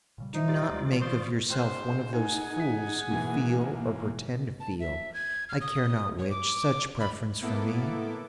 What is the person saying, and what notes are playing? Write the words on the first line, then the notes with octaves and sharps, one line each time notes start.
Do not make of yourself one of those fools who feel, or pretend to feel, I care not which, such preference for me.
A#2 C#3 G3
D#4 F4 C5 E5
F4 G4 D5
D#2 G3 G#3
D#3 E3 G3
C5 C6 C#6 D#6
G#2 C#3 C5 G5 F6 F#6
D#4 G#4 F#5 G#5
D#6 B6
G#2 B2 E3 A#3
A5
E5
G#6
F6
D#6
C#5
D6
B5
A2 A#3 B3 E4 A4 D6